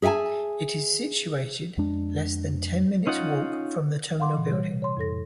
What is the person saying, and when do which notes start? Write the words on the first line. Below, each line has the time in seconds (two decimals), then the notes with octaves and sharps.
It is situated less than ten minutes walk from the Terminal building.
0.02 G#4 E5 F5 G#5 A5
1.77 F2 G#3 D4
3.07 C#4 D#4 F4 F#5
4.20 F5 F#5 C6 D6
4.34 A#2 E3
4.50 G3 C#5
4.65 C3
4.82 C#5 C6
4.97 F2 A2 A4 A#6